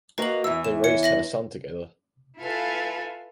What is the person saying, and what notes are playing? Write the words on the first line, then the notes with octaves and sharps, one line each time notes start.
They raised her son together.
A#3 F#4 B4 D#5 F#7
E2 E3 E6
E7
C#5 C#7
E5 A#6 F#7
E4 F4 A4 B4 F5 G#5